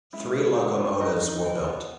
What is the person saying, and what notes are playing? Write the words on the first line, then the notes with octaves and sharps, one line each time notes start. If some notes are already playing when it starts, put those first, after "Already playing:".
Three locomotives were built.
G#3 E4 E5
D#4
G#3 F#4 F#5
B3
E3 D#4 D#5
D#4
E3
B3